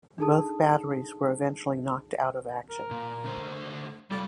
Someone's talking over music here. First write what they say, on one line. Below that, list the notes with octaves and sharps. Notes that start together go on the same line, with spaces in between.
Both batteries were eventually knocked out of action.
D4 D#4 G#4 A4 A5 D#6
A#4
A#2
D3 A3 C5
G3 A3 F4 A4